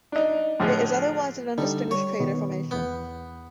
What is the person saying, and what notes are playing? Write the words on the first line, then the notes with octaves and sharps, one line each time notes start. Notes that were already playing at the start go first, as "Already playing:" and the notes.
It is otherwise an undistinguished crater formation.
D4 D#4
A2 D3 F3 F4 G#4
D3 G3 D#4 A4
G3 C#5
B2 D#3 B3
E2 B3 G6